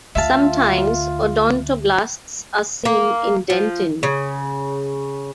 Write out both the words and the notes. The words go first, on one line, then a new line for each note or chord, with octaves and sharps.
Sometimes odontoblasts are seen in dentin.
D2 D3 F4 E5 F5 A5
A#3
F3
C#3